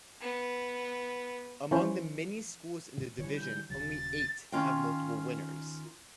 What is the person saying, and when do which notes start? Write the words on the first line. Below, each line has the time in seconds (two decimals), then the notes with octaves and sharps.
Among the many schools in the division, only eight have multiple winners.
0.21 B3
1.71 E3 F3 C#4 C5
3.19 D3 E3 G3 C#5
3.36 G6
3.70 D#1 C#3 F#3 A6
4.52 D#3 C#4 F4 D#5 G5